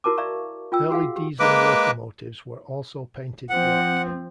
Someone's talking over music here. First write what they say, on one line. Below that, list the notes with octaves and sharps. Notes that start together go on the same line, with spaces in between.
Early diesel locomotives were also painted black.
E4 F#4 A#4 A5 D6
D5 E5 F5 A#5 C#6
F4 G5 E6
F#4 G#4 F5 F#5
G4
G#3 A#3 B4 D6
F3 C4 F#5